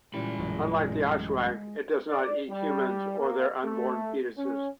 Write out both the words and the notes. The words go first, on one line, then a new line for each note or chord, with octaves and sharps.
Unlike the Aswang, it does not eat humans or their unborn fetuses.
A#2 C#3 E3 G3 G#3 B5
A1 F#2
D5
G3
A#3
A3
C#4